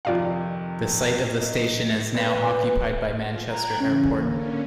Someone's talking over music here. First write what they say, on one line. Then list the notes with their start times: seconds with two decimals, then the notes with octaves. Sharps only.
The site of the station is now occupied by Manchester Airport.
0.05 F2 C3 D#3 F4 D5 F5
1.38 F#3 D#5
2.14 A1 B4
3.17 F4
3.49 G5 A#5 F#6 G#6
3.80 C#3 E3 C#4
4.19 D3 A#3 C#4